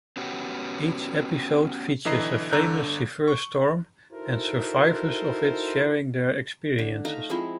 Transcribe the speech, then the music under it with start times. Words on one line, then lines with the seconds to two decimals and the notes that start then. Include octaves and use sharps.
Each episode features a famous severe storm, and survivors of it sharing their experiences.
0.17 B3 C#4 F#4 G4
2.05 B1 D3 E3 D#5 A#5 C7
2.51 G1 D3 A#5 E6 F#6 G6
3.28 C#6
4.12 D#4 E4 F#4 A4 A#4 C5
6.79 D3
7.05 A3 D#4 F5 A#5
7.29 F3 G#3 C4 E4